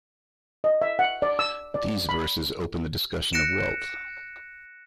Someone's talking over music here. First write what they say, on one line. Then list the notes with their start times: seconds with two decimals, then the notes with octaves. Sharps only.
These verses open the discussion of wealth.
0.64 D#5
0.82 E5
0.99 F#5
1.22 D5
1.39 E6
1.74 D5
2.09 B5
3.33 F#6 A#6 C#7 D7 E7